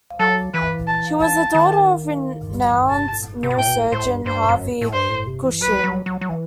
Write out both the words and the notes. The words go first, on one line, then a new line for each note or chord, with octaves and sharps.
She was the daughter of renowned neurosurgeon Harvey Cushing.
F#3 A4
E3 B4
A5
A5
D#3
G3
F#3
E3
D#3
C3 A5
A2
G2
C3
B2
A2 G5
B2
A2
A2 C5
G2
G2 C5
F#2
A2
G2 C5
A2
C3
E3
F#3 B4
F#3
F#3
F#3
E3